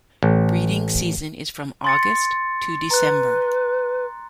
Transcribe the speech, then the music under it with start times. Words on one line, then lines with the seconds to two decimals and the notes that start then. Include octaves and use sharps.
Breeding season is from August to December.
0.23 A1
1.84 C6 A6 C#7
2.91 B4 A#5 F#6